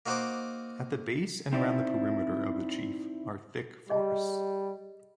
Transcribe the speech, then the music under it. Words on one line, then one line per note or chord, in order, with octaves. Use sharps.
At the base and around the perimeter of the Chief are thick forests.
A#3 D#4 F#4 C5 D#5 D6
C4 D#4 E4 C5 D5
G3 G#4 D#5 E5